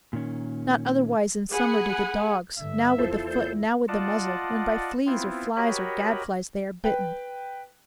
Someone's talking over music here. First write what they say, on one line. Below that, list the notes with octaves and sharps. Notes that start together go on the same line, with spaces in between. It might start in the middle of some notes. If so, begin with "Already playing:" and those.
Not otherwise in summer do the dogs, Now with the foot, now with the muzzle, when By fleas, or flies, or gadflies, they are bitten.
A#2 D#3 C#4
G#4 F#5 G#5 B5
G2 D3 E5
E2 F3 E4 A4 C5
A#2 G6
F4 D5 D#5 F#5 A5
B3 C4 E4 F4
F#4 G4 A#4 C#5 D#5 B5
B4 G5